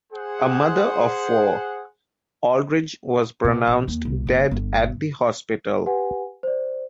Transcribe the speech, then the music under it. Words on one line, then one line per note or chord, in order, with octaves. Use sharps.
A mother of four, Aldridge was pronounced dead at the hospital.
G#4 C5 F#5
B2
A#1
D#2
C2
F#1
G1
G4 B4 F#5 G#5
C5 D5